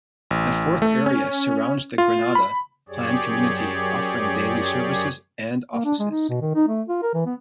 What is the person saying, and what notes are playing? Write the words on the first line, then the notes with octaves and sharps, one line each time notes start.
The fourth area surrounds the Gananda planned community offering daily services and offices.
A1
A3
C#4
F4
B5
F#2 G4 G#4 C#5 D5
A#3
D4
G#3
D#4
B2
D#3
D#4
A3
F4
A#4
E3
B3